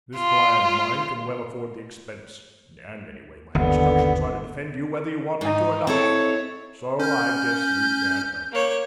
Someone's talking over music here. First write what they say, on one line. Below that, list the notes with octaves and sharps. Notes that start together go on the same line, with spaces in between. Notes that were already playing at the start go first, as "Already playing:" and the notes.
"This client of mine can well afford the expense, and anyway, my instructions are to defend you whether you want me to or not, so I guess you can't help yourself."
F4
G1 D#2 D3 B3
G#2 D#4
C4 E4 A4 C#5
C#4 F6 G6
A#3 C#5